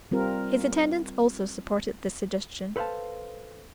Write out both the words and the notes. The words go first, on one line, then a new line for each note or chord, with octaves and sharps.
His attendants also supported this suggestion.
G3 C4 F4 A#4
A4 B4 C5 E5 F5 A5